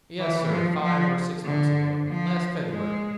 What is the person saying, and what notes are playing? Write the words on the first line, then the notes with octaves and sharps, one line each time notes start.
"Yes, sir, five or six months ago--last February."
E3
F3
F3
D3
F3
G#3